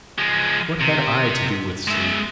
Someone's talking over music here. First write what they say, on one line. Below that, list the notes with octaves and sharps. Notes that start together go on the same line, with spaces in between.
What had I to do with sleep?
F3 G#3
C3
G#3 E5